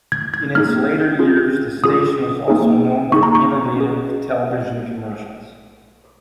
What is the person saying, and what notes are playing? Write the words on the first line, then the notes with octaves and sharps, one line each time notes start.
In its later years, the station was also known for innovative television commercials.
G#6
G#6
A#3 D#4 G#4 F6
C#4 F4 G#4
C#4 F4 G#4 D#6
A#3 D#4 G#4
A#3 D#4 G#4 C#6
A#5
C#6
C#4 G#4